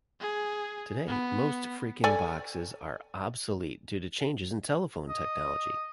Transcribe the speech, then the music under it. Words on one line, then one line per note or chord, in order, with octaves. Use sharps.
Today, most phreaking boxes are obsolete due to changes in telephone technology.
G#4
B3
A4 D5 G#5
D#5